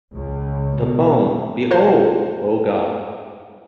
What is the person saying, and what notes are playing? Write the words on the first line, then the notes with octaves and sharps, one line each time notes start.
The poem Behold, O God!
C#2
B2
F4 A#4 C5